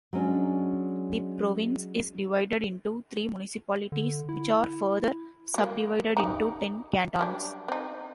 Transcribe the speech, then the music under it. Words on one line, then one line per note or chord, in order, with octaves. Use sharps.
The province is divided into three municipalities which are further subdivided into ten cantons.
F#3 G#3 C#4 D4
D3
E4
F#3 A#3
D#4 G4 A#5
F#3 G3 D4
C4 D#4